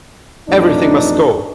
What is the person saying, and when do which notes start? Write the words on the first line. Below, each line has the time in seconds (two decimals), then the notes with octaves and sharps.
Everything Must Go!!!
0.49 A1 F2 D4 D#4